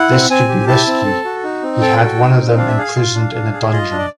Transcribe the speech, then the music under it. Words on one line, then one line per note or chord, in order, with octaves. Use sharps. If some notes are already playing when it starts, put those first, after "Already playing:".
This could be risky; he had one of them imprisoned in a dungeon.
Already playing: E4 F#5
C4
C4 G#5
G4
E4 A5
C4
A4
F#4
D#4
C4
A4 G5
F#4
D#4
C4
D4 F5
E5
G#4 F5
F4
D4
D4
G#4
F4 D#5
D4
D5